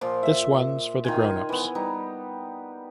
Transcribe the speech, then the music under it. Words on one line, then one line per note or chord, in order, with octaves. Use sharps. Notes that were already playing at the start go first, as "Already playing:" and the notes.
This one’s for the grownups.
A#2 F3 C6
E5
D#3 F4 G#5
E3 B3
G3 D#4